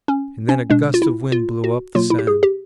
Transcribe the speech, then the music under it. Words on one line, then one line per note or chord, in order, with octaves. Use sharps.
And then a gust of wind blew up the sand.
C#4
C#4
B2 G#3 D4
F4
E4
F4
F#4
B2 F#3 A#3 F4
E4
G4
G#4
G4